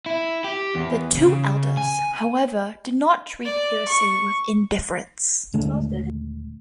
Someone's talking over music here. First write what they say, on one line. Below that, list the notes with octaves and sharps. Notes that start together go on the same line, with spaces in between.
The two elders, however, did not treat heresy with indifference.
E4
G4
E2
C#3
G#5
D5
C#6
D#1 D3 G#3 A3